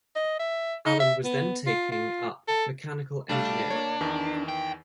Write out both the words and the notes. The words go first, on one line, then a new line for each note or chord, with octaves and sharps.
Allan was then taking up Mechanical Engineering.
D#5
E5
D#4
E5
B3
F4
F4
A4
G3 A3 D4 F5
A#3 C#5
E2 D#3 E3
G5